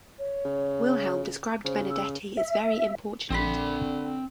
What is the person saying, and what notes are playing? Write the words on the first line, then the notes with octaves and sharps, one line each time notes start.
Wilhelm described Benedetti as very importunate.
C#5
C#3
C#3 C5
E6
E5
A#1 D3 C4 B5 C6 B6